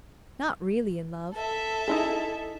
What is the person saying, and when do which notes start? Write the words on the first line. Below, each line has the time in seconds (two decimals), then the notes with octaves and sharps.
Not really in love.
1.34 A4 E5
1.87 D#4 E4 G#4